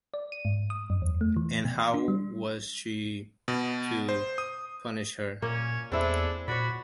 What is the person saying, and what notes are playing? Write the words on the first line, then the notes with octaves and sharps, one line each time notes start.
And how was she to punish her?
D5
D#7
G#2
D#6
F#2
E2
A3
E3
B2
C6
D4
G3
B2
C5
D#6
A#2 A#3 C#4 C#5
E2 G#3 C4 D4 E4 A4
A#2 F#4 C#5 D5 B5